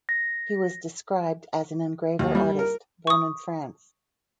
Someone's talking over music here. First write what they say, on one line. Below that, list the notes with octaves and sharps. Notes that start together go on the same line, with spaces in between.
He was described as an "Engraver Artist" born in France.
A#6
D#2
G3
A#4
C#6 D#6